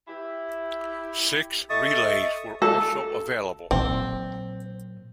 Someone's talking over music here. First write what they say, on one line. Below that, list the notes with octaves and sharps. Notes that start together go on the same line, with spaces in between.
Six relays were also available.
E4 G4
A4 D#5 E5 C#6 D#6 A6
A4
A#2 F#3 C4